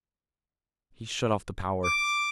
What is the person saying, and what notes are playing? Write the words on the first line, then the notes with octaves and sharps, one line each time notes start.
He shut off the power.
D6